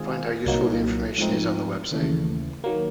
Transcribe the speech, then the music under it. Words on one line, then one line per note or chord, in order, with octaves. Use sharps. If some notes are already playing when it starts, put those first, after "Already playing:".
Find how useful the information is on the website.
Already playing: D#3 G#3 C4 F4 G#4
C2 A#2 F#3 A#3 D#4
G#2 F3 A3 C4 D#4
D#2 C#3 E3 A3
D#3 F#3 A#3